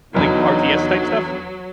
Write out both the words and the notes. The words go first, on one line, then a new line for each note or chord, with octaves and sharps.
like, RTS type stuff?
F1 E2 D3 F#3 D#4